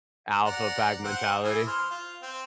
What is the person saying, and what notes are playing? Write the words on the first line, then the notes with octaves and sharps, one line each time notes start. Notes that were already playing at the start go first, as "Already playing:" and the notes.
Alpha pack mentality.
D5 F#5 A#5
C4 F#5
E3 G#4
C5 F6
F4
C4